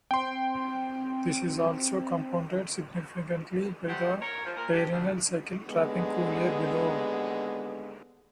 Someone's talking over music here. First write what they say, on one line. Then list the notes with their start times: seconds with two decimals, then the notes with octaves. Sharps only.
This is also compounded significantly by the diurnal cycle, trapping cool air below.
0.11 C4 G5 C6
3.88 F3 G3 A3 G4 C5 F#5
4.22 A#4 C#5
4.45 F3
4.57 A#2 A#4
4.72 D4 G4
4.92 D2
5.68 D#2 D3 G#3 B3